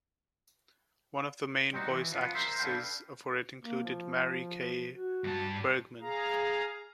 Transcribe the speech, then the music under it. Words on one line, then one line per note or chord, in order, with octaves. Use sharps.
One of the main voice actresses for it included Mary Kay Bergman.
G3 C4 D#4 F#4
E3
F3 B3
A#4 C5 E5
D4 A4 B4 F5 G5
A#3
F3
F#4
G2 A5
G#4 F5 A#5